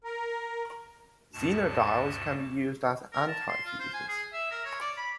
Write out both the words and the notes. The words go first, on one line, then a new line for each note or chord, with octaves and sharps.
Zener diodes can be used as antifuses.
A#4
D2 G2 B2 A5
A#4
A5
C6
F4
C5
G#5
G#4
E5
A#4
C#5
D5
B5